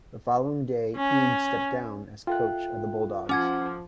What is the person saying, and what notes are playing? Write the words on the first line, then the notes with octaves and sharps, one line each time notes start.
The following day, Eade stepped down as coach of the Bulldogs.
C#4
F4 A4 E5 G5 F#6
F3 C#4 F#5 D6 F6 G#6